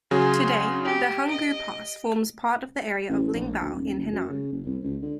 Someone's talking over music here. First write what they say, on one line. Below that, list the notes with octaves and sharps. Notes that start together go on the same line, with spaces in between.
Today, the Hangu Pass forms part of the area of Lingbao in Henan.
C#3 F#3 G#4 G#5 C6
G4
D#5 D7
A1
A#1
D2
D#1
F#1
F#2
C#3
F#1
C2
C#2
D3